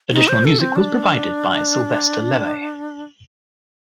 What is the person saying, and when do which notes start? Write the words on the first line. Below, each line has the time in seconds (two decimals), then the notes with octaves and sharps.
Additional music was provided by Sylvester Levay.
0.12 D#4
0.28 C5
0.45 A4
0.60 C4
0.76 D4